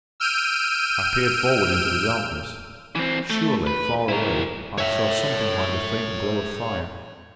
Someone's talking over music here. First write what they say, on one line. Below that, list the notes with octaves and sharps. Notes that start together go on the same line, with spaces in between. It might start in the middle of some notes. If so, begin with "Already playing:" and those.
I peered forward into the darkness: surely, far away, I saw something like the faint glow of fire.
E6 F6 G6 D7 D#7
E3 C4
A3
B4
E4 A#4
C#5 E5